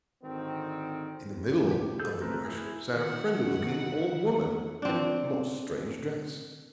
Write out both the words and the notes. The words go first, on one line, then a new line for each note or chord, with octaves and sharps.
In the middle of the bush sat a friendly-looking old woman in a most strange dress.
G#1 D3 D#3 C4
G4
G#4 A4 G6
A3 C4 A#4 B4
E4 G#4
D#3 E4 F#5
C4 D4